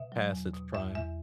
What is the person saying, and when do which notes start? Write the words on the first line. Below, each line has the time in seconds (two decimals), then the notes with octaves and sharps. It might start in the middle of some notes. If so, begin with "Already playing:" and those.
past its prime.
Already playing: B2 E5
0.12 F#3
0.32 E2
0.53 B2
0.74 E2 E5
0.95 E2 E5